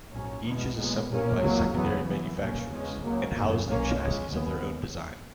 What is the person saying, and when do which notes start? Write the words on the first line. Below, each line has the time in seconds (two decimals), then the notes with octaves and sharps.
Each is assembled by secondary manufacturers, and housed in chassis of their own design.
0.11 A#1 G#2 F#3 C#4
0.44 E2 B2 G#3 B3
0.76 B1 A#2 G#3 B3
1.08 B1 A#2 A#3 C#4
1.40 C#2 C#3 F#3 A#3
1.73 F#1 E2 C#3 F#3 B3
2.05 F#2 E3 B3
2.37 B1 A#2 A#3 C#4
2.69 E2 C#3 G#3 C#4
3.02 C#2 C#3 F#3 A#3
3.34 G#1 F#2 C#3
3.66 B1 A#2 A#3 C#4
3.99 C#2 C#3 G#3 C#4
4.31 D#2 C#3 G#3 B3